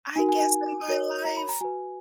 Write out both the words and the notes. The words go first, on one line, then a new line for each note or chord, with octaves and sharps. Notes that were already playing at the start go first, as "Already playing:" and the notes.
I guess, in my life,
D#4 F#4 A#4 G#5
G#5
G#5
F#4 A#4 C#5
A#5
B5
A#5
F#4 B4 G#5